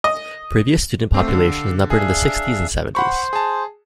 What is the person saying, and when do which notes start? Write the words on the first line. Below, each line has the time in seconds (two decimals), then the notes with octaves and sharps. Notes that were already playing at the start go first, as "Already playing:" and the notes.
Previous student populations numbered in the sixties and seventies.
0.04 D#5
1.14 A3 C4 G4 A4 F5
1.28 D3
1.90 D4 G#4 E5 F5
2.95 C5 F#5 B5 C#6
3.33 G#4 A5